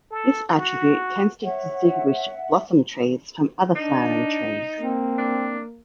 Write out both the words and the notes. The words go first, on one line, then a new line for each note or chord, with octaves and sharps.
This attribute tends to distinguish "blossom" trees from other flowering trees.
A4
F#4
C#5 E5 F#5
D4 D#4
A#3 C4
D4